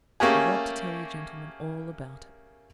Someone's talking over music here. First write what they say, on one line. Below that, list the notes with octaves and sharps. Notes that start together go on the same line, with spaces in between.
"I want to tell you gentlemen all about it."
A3 A#3 C#4 G4 G#4